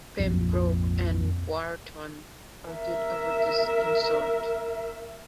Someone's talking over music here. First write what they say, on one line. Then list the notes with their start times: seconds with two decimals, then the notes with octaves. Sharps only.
Pembroke and Wharton argued over this insult.
0.19 A#1 F2 G#2
2.70 A#4 E5